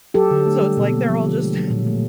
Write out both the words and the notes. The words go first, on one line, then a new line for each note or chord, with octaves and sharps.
So it's like they're all just
F#3 G4 A4
D3
A3
G3
B2
A#3
F3
D3
G#3
F#3
A#2
A3